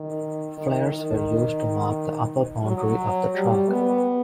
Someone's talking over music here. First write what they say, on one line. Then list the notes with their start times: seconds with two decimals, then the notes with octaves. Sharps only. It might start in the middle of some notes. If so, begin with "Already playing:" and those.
Flares were used to mark the upper boundary of the track.
Already playing: D#3
0.58 D#3
0.92 D#3
2.65 F#3
3.35 G3
3.69 B3